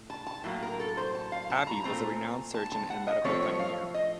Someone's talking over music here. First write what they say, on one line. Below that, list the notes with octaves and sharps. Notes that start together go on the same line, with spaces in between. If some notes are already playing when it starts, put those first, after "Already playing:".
Abbe was a renowned surgeon and medical pioneer.
Already playing: A2
A5
A5
A2 F#3 A#3
A#4
A4
C5
A5
F5
A5
A#5
A#2 F#3 A3 C4 A#5
A5
A5
F#5
D#5
A2 F3 A3 C4 C#5
C#5
F5
D#5